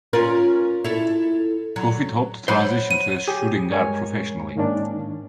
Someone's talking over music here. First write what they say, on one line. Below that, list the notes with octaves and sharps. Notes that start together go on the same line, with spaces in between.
Profit hoped to transition to a shooting guard professionally.
C#4 F4 A#4
E4 A4
F#3
F#3 C5 F#5 B5
D#7
G4 G#4
G2 G#3 A#4 C#5 G#5
G#2 D#3 A#3 C#4 D4